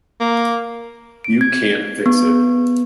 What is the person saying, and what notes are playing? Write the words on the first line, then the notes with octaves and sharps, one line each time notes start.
You can't fix it.
A#3
D7
G#6
B3